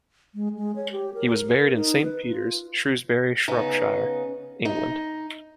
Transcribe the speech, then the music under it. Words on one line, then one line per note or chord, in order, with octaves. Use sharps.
He was buried in Saint Peter's, Shrewsbury, Shropshire, England.
G#3
G#3
C#5
G4
A#4
D#4
B4
F4
C#3 B3 D#4
D#4